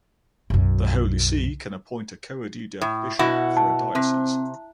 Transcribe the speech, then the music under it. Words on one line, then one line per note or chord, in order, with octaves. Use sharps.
The Holy See can appoint a coadjutor bishop for a diocese.
B1 F#2
A2
B2 E4 F#4
A5
C3 C4